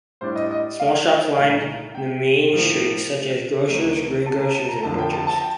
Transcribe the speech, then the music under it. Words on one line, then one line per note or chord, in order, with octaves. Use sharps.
Small shops lined the Main Street, such as grocers, greengrocers and butchers.
A2 G3 D4 C5
D#5
D#5
F5
D#5
C2 A#2 A3 D#4 F5
G5
A2 F3 A#3
D2 C3 F3 A3 D#4
A5
A#5
A5
A#5
F2 D3 F3 A5
G5
A5
A5
G5